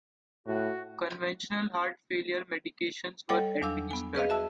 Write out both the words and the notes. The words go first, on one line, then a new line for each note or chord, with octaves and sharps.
Conventional heart failure medications were administered.
A2 F#4
G3 A4 C#5 D#5 F#5 G5
E2 F#3 D4 F5 E6
B3 G#5
G#4 B4 D#5 F5
F#4 E5 A5 E6